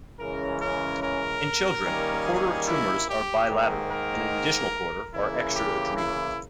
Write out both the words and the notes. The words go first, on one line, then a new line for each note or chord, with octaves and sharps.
In children, a quarter of tumors are bilateral, and an additional quarter are extra-adrenal.
C#3 E3 G#3 C#4 A#4
A#4
A#4
D#3 G3 A#3 C#4
G#4
E4
G4
G#2 D#3 A#3
A#4
C#3 E3 A#3 E4
G4
E4